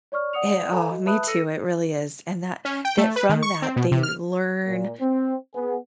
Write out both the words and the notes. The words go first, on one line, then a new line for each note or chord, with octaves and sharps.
it oh, me too it really is, and that that from that, they learn
C#5 D5 C#6 F6
D5 F#5 D#6 C#7 F7
A4 C5 F5 G#5 A#5 B5
F#4 D#5
B4 E5 A5 B5 D#6 F#6
A4 E6 A#6 C#7 D#7
C#4
G5
A3
B4
D#3
C#6
C4
B2
C3
F6
A#2
C4
B3 G#4